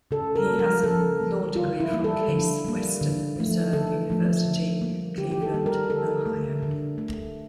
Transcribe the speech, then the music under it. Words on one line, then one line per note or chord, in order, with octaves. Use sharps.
He has a law degree from Case Western Reserve University, Cleveland, Ohio.
C#3 A4
A#4
G3 A#3
A#4
C#3 A4
G3 A#3
D3 F4
E4
G3 A#3
A4
D3
G3 A#3
D3
F3 A3
D3 A4
F3 A3
D3
G3 A#3
D3 G4
G4
A4
G3 A#3
A#4
D3 A4
A3
D3
A3